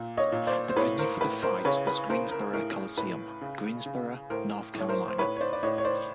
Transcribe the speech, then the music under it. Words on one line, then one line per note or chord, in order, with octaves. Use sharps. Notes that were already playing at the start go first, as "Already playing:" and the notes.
The venue for the fight was Greensboro Coliseum, Greensboro, North Carolina.
Already playing: A#2
C#5 D#5
A#2
C5 D5
C5
A2 B4 C#5
A#4 C5
A2 B4
A#4 C5
C#3 B4 C#5
B4
C#3 A#4 C5
A#4
A2 A#4
A2 B4
C#3
C#3
A2 A#4 C5
A2 C#5
A#4 C5
C5
A2 B4 C#5
C#5
C5 D5
D5
A2 C#5 D#5
C#5
C5 D5